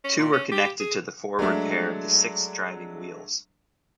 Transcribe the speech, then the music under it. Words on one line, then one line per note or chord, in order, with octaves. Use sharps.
Two were connected to the forward pair of the six driving wheels.
C#4
A#2
C#4
G4
G#4
F#3 G#3 A3 D4 E5